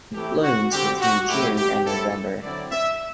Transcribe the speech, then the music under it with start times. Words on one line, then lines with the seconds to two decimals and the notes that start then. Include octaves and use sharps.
It blooms between June and November.
0.14 E3 A3 C4 E4 G4
0.42 F#4
0.71 D3 G3 C4 G4
1.00 F#4
1.28 A2 F#3 A3 E4 G4
1.57 G4
1.86 F#3 A3 C4 E4 A4
2.43 D3 F#3 C4 E4 D5
2.72 E5